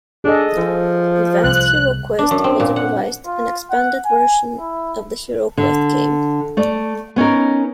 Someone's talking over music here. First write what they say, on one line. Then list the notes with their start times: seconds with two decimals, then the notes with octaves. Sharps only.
"Advanced HeroQuest" was a revised and expanded version of the HeroQuest game.
0.24 D4 G#4 A4 D#5
0.57 F3
1.44 C2 F#6
2.19 D4
2.31 F#2
2.44 C4
2.60 A#2
2.76 F#5
3.26 F4
3.71 F#5
4.05 G#5
4.60 E4
5.57 D3
6.57 A3 D5
7.16 B3 C#4 D#4 A#4